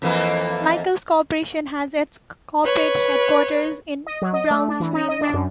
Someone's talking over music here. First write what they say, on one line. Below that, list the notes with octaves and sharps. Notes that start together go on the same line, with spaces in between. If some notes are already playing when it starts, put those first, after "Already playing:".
Michels Corporation has its corporate headquarters in Brownsville.
F2 E3 A#3
B4 C#5
D#5
F#3
D#5
A3
D4
E3
D#4
D#5
D4
F#2